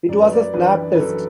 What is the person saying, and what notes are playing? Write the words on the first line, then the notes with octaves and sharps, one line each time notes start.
It was a snap test.
F#2 D5
B4
D5
E3 D4 B4
B4
F#2 A4